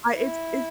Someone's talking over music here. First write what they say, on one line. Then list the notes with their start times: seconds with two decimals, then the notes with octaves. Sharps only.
I it's it's
0.14 E4